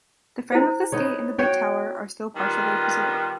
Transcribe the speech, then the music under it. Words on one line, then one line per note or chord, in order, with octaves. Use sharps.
The frame of this gate and the big tower are still partially preserved.
E4 C5
B3 D#4 C#5
F#4 C#5 G5
D#3 G3 B3 F4